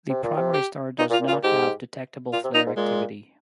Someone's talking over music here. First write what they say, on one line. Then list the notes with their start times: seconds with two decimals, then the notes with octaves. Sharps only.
The primary star does not have detectable flare activity.
0.09 C3
0.23 A#2
0.37 C3
0.54 G4
0.99 A#2 D#4
1.10 A#2
1.13 F4
1.21 A#2
1.28 F4
1.32 A#2
1.43 G#2 G4
2.32 A#2 F4
2.44 C3
2.54 A#2 D#4
2.66 G#2
2.77 A#2 G#3